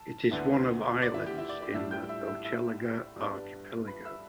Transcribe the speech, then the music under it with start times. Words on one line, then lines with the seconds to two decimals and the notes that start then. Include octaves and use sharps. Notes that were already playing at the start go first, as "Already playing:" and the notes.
It is one of islands in the Hochelaga Archipelago.
Already playing: A4 A5
0.31 D2 D3 B3 D4 E4 E5
1.02 D5
1.14 E4 E5
1.26 G4 G5
1.38 E4 E5
1.49 D5
1.62 D5
1.74 A2 G3 D4 E5 E6
1.91 G5 G6
2.09 E5 E6
2.27 E5 E6
2.45 E5 E6
3.16 G2 G3 B3 D4
3.87 B4 B5
4.05 E5 E6